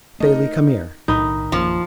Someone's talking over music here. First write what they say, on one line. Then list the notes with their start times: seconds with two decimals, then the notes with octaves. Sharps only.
Bailey, come here.
0.20 A3 D#4 A#4 D#5
1.08 B1 A2 D#3 D#4 B5 G7
1.52 A#1 F#2 F3 A#3